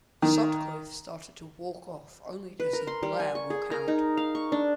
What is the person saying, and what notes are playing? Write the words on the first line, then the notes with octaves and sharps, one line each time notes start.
Sutcliffe started to walk off only to see Blair walk out.
D#3
B4
A#4
C6
G3
G#5
C#6
G#4
A#4
D#4
F5
C#6
D4